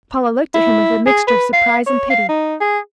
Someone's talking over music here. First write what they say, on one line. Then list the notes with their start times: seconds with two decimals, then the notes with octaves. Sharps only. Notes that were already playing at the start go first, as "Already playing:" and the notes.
Paula looked at him with a mixture of surprise and pity.
0.54 E4
1.06 G#4
1.27 B4
1.53 F5
1.86 C#5
2.10 F5
2.29 D#4
2.61 G#4